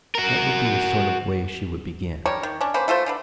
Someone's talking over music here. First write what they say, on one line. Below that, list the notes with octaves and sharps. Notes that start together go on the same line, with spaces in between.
That would be the sort of way she would begin.
F#4 A#4
G3 D4 A#4 C#5
D#3
C#4 D4
A#3 C#4 B4 C5
A3 F4 A4 C5
D3 D4 B4